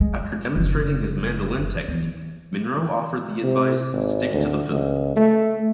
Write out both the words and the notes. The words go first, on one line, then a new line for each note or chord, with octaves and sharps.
After demonstrating his mandolin technique Monroe offered the advice: "stick to the fiddle".
G#3
F#1
E2
C3
G#1
D2
C#2
A3